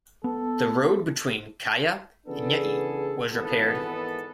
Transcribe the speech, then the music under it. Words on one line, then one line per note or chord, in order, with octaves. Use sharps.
The road between Kaya and Yei was repaired.
B3 A4
C#3 E3 B3 D4 G#4 A4
G#1 E3 B3 A4